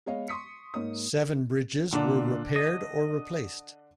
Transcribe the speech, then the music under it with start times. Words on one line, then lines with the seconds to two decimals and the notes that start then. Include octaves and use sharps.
Seven bridges were repaired or replaced.
0.06 G#3 B3 C#5 D#5 F5
0.28 C6 C#6 D#6 B6 C#7
0.74 G#2 A#3 D#4 C#5 D#6
1.93 A#2 D3 D4
2.56 D#5